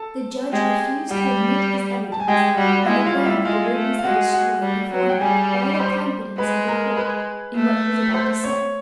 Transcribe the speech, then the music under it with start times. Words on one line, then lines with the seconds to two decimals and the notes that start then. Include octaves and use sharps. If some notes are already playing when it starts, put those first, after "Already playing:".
The judge refused to admit his evidence, on the ground that the witness had destroyed beforehand all the confidence of the Court in what he was about to say.
Already playing: A4 A5
0.52 G#3 G4 G5
1.10 G3 G4 G5
2.12 A5
2.20 G#5
2.28 G#3 G4 G5
2.57 G3 F#4 F#5
2.86 G#3 E4 E5
3.06 F4 F5
3.16 G3
3.26 E4 E5
3.45 G#3 F4 F5
3.75 A3
3.99 F5
4.04 G#3 F#4 F#5
4.33 F#4 F#5
4.62 G3
4.92 F#3
5.09 G5
5.21 G3 G#4 G#5
5.74 B5
5.80 C5 C6
6.38 G#3 B4 B5
6.67 A#4 A#5
6.97 B4 B5
7.55 A3
8.14 C5 C6
8.44 C#5 C#6